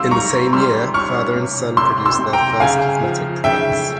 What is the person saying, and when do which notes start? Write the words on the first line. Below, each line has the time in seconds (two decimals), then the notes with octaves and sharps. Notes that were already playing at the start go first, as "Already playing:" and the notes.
In the same year father and son produced their first cosmetic products.
Already playing: C3 G3 F5 C6 E6
0.11 G3 A#5 C#6
0.53 G3 C6 E6
0.94 C#4 C#6 F6
1.36 C3
1.77 C3 C6 E6
2.05 C6 E6
2.19 C3
2.33 G5 A#5
2.60 C#3 F5 G#5
3.03 F3
3.44 C#3 E5 G5